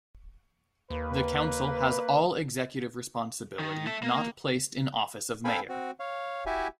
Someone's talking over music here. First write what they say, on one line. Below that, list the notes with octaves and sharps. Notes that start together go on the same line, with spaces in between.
The Council has all executive responsibility not placed in office of mayor.
D#2 A#3 B4
D#3
E5 A5
A#3
C4 A4 F5 G5 G#5 B5
C4 F#4
C#5 F5
E4 F#4 G4 E5 G#5